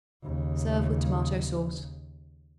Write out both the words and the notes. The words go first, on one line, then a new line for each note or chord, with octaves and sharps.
Serve with tomato-sauce.
D#2 C#3